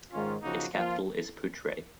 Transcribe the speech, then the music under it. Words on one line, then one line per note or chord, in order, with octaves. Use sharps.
Its capital is Putre.
G#2 D#3 G#3 C#4 F4
C#3 F3 A#3 D#4 F#4
F3 A#3 F4